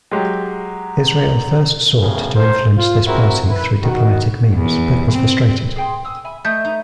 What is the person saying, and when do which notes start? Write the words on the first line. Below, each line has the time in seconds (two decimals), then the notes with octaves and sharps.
Israel first sought to influence this policy through diplomatic means but was frustrated.
0.11 F#3 G#3 G4
2.00 D2 A2 C#3 G3 A#3 B3
2.35 A2 A#4 C5
2.77 F4
3.07 C4 E4 F#4 G#4 A#4
3.48 E4 B4
3.82 D#3 F#4
4.54 E2
5.12 C4
5.76 G#4 G5 C6
6.05 G#5 D#6 E6
6.25 E5 G#5 B5
6.45 A3 D#5 D#6 G6
6.65 D#4